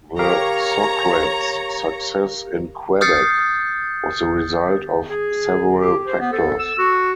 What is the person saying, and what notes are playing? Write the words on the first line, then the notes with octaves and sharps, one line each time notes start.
The Socreds' success in Quebec was the result of several factors.
G4 A#4 C#5 F5 A#5
D#6 F6 G6 A6 C7 C#7
G#4
G4
C5
B3
A4
E6
F#4